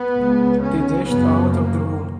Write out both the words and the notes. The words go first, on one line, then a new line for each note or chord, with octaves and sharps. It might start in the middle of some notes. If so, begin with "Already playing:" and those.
They dashed out of the room.
Already playing: B3
C#2 C#3
C#4
F#2 C#3 B3
A#3